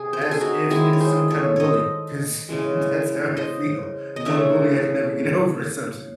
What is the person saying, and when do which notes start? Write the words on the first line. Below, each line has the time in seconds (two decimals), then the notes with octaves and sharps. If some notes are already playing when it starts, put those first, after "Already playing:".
as if it's some kinda bully 'cause that's how I feel. The one bully I could never get over or something.
Already playing: C3 G#4
0.13 C5
0.22 A4
0.31 G#4
0.41 D#4 F#4
0.70 D#3 G#3 E4 G#4
0.93 C#5
1.00 G#4 C5
1.31 A4 C#5
1.56 C5 C#5 D#5
2.49 C#3 E3 G#3
3.37 C5 D#5
4.16 D#5
4.25 C#3 E3 A3 C#5 E5